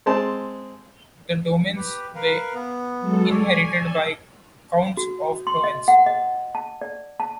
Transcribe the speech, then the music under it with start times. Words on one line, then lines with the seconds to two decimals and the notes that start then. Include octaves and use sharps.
The domains were inherited by Counts of Provence.
0.06 G#3 C4 A5 C6
1.76 G4 B4
2.15 A#4 B4 F5
2.54 B3
3.00 F#3 G#3 A4
3.31 C#5 D5 G#5
4.97 F#4
5.47 C6
5.64 D#5
5.88 F#5
6.06 D#5
6.55 A5
6.82 D5
7.20 A5